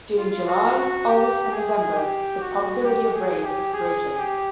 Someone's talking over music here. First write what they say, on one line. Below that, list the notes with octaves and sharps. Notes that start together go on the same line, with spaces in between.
During July, August and November the probability of rain is greater.
F4
F#4
F#4
G4
G#4
G4
F#4
G4
G#4
G4
G#4
G4